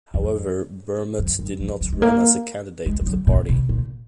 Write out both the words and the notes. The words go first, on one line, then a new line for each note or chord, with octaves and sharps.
However, Bermet did not run as a candidate of the party.
F2
F#2
F#2
F3
F#3
G#3
A#3
G#3
F3
F#3
A#2
B2
A#2